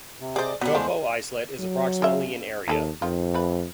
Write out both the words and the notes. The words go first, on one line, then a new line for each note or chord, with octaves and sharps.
Topo Islet is approximately in area.
C3
G#4 C5 D5 D#5
F#3 G3 B3 D4
E2 G#3 A3 F4 C5
F#3
C#3 F3 E5
D#2 D#4 G#4 A4
F2 D#3 F4
A3 B4